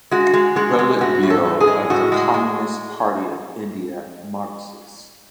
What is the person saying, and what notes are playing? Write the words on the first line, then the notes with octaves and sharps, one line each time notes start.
The Polit Bureau of the Communist Party of India Marxist.
G#3 F#4
G#3
G#3 F#4
G#3
A2 F#4
A2
A4
A2
G#4
G#3
A2 F#4
G#3
G#3